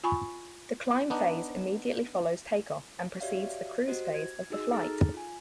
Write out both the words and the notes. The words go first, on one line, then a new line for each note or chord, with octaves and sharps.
The climb phase immediately follows take-off and precedes the cruise phase of the flight.
F4 G#5 B5 C#6
B3 D4 D#4
F#4 G4 C#5 D5 E5 F5
F#4 G4 C5 D#5
G#6
D#4 F#4 G#4 D#5 E6
D#4 G#4 A4 A#5 F6 A6
F4 G#5